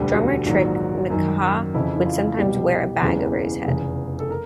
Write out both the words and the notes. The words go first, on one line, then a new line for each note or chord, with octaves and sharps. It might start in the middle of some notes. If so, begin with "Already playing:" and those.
Drummer Trick McKaha would sometimes wear a bag over his head.
Already playing: E1 D2 D3 G3 G4
F#4
A#1 G#2 D#3 F#3 F#4
F#2 D#3 F#3
F2 C#3 E3 E4
E4
F4
C2 B2 G3 G4
F#1 E2 C#3 E3 G#3
F1 E2 C#3 G#4
A4
A#4